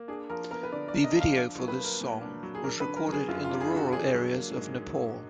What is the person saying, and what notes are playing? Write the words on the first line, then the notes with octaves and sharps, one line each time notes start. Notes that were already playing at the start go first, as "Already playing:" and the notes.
The video for this song was recorded in the rural areas of Nepal.
Already playing: A#3
D4 G#4
F3 A#4
B3 A#4
B4
D3 D5
D5
D4
D#5
F3
F5
D4 F5
F#3
B4
A#3
A#4
A#2
D4
F#3
G#4
D4 A#4
B4
D3
A#4
F#3
G#4
F#2 F4
F4
D4
G#4
D3
F#4
D4 G#4
F#3
A#3
G#2